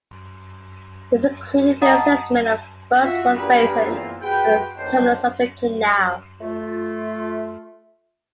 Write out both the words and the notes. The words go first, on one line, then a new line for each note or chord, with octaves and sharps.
This included an assessment of Bugsworth Basin, at the terminus of the canal.
D#5 F#5 A5 A#5 D#6
F4 F#4 E5
A#3 D4 G4 G#4 A#4 B4
E2 A#2 A#3 C4 F4
F#4 G#4 B4 G5
B1 D#3 D4 C5
A3 F4